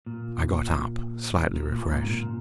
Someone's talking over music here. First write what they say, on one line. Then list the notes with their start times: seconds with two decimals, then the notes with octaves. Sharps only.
I got up, slightly refreshed.
0.06 A#2
1.54 A#2
1.72 A#2
1.91 G#2
2.03 C3
2.09 A#2